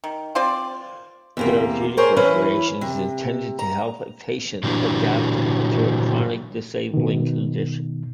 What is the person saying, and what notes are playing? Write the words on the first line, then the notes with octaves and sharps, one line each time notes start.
Therapeutic recreation is intended to help a patient adapt to a chronic disabling condition.
D#3
C4 F4 C5 D5
E2 C3 A#3
G#4 A#4 C5 C#5
E3 C#4 B4
C3
A#5
A#2 D3 E3 F#3 D4 G4
B2 D#3